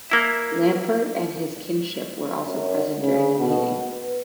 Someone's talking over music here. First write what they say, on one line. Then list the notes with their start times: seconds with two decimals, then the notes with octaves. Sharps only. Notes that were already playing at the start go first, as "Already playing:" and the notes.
Lampert and his kinship were also present during the meeting.
0.10 A#3 E4 E5
2.43 F#2
3.00 C#3
3.39 B2
3.92 B4